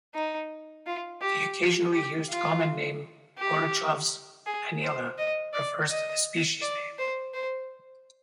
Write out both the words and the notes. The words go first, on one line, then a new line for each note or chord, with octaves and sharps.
The occasionally used common name Gorochov’s Haaniella refers to the species name.
D#4
F4
G4
G4
F4
G4
G#4
C5
D#5
D5
D#5
D5
C5
C5